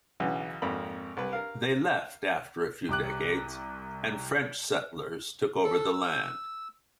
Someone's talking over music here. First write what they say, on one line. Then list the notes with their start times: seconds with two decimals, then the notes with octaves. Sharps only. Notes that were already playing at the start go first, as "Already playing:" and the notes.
They left after a few decades and French settlers took over the land.
0.20 B1 C#3 E3
0.62 G#1 F2 A#3 A#4 B5
1.17 C2 B4
1.33 A#4 F5
2.89 C2 G4 D6 F#6
5.64 A4
5.93 E6